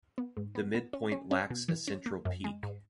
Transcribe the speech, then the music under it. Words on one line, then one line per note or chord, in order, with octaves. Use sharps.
The midpoint lacks a central peak.
B3
G#2
B3
B3
C#4
C#4
C#4
B2
E3
C#4
A#3
F#2
G#3
G#2